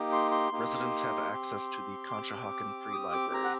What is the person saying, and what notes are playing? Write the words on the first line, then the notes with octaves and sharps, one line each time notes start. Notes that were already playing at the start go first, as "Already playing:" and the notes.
Residents have access to the Conshohocken Free Library.
Already playing: A#3 D#4 G4
C6
C6
A#3 D#4 G4
C4 G4
C4 G4 D6
C4 G4 D#6
D6
A#5
F#5